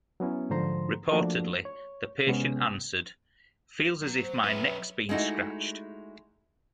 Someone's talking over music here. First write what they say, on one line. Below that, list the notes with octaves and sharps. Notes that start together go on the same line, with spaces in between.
Reportedly, the patient answered: "Feels as if my neck's been scratched".
F#3 B3 C#4 E4
G#2 D3 F3 C5 A#5 C6
F3 A3 A#3 D4 F#4
C#5
C3 G#3 B3 C#4
F#3
C5
C#4 B4 E5
G#3 A3 D#4 E4 F#4